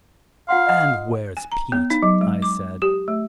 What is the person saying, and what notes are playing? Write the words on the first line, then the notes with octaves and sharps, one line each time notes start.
"And where's Pete?" I said.
F4 F5 F#5 C6
D#5 F#5 D#6
G#5
A#5
B3
D#4
F#3
G#3
D6
G4
A3